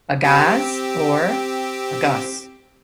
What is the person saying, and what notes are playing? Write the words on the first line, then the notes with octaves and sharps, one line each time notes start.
"Ughaz" or "Ugas".
C4 G4